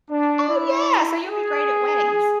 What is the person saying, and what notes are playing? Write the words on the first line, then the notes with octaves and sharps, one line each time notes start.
Oh yeah, so you'll be great at weddings.
D4
E4
G#4